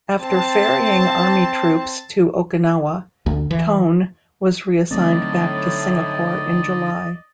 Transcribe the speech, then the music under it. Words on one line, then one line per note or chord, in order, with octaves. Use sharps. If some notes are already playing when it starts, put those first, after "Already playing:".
After ferrying army troops to Okinawa, "Tone" was reassigned back to Singapore in July.
C4 A5
D2
E3
A2 D3 F#3 A3 C4 D#4 D5 D#5